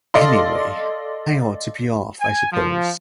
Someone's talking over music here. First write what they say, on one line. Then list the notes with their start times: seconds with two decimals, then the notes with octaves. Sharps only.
Anyway, I ought to be off, I suppose.
0.14 A4 D5 D#5 F5 C6
2.21 G#5
2.51 F3